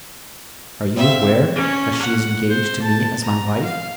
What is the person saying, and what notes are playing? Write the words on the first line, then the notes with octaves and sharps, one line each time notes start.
Are you aware that she is engaged to me as my wife?
C4 E5 F5
C#4
F#5
C5
A5
A#5
F5